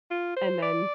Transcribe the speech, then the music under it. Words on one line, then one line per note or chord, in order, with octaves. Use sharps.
and then
F4
C5
D5